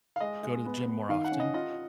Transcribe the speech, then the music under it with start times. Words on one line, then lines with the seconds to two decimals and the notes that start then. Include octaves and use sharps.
go to the gym more often,
0.16 F5
0.20 G#3 D#5
0.43 G#3
0.66 B3
0.87 B3
1.09 D#3 F5
1.24 F#5
1.32 C#4
1.40 D#5
1.54 F4 D#5